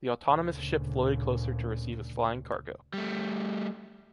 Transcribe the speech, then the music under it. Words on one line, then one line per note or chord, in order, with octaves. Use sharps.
The autonomous ship floated closer to receive his flying cargo.
D2 A#2 C#3
G3 A3